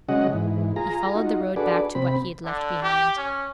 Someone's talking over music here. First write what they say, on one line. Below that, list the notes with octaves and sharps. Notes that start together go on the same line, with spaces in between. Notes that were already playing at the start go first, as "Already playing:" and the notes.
He followed the road back to what he had left behind.
C#3 F#3 G#3 C#4 D#5 F#5
G#2 E3
F4 G#4 A#5
D#4 F4 F#4
D4 F#4 G#4 A4 B4 D5
C3 C4 B5
D3
G4
C#4